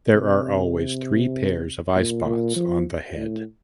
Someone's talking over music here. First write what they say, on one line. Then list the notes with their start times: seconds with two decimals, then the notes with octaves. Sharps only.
There are always three pairs of eyespots on the head.
0.14 C3
1.96 A#2
2.25 A#2
2.56 F3
3.16 A2